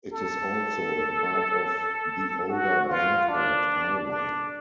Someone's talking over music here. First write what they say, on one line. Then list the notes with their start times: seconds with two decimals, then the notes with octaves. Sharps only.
It is also a part of the older Bankhead Highway.
0.13 A4
2.50 F#4
2.89 F4
3.29 D4
4.07 D4